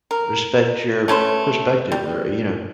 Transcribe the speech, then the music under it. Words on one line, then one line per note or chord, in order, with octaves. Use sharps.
respect your perspective or, you know,
A#4
A3 C#4 B4 C5
G3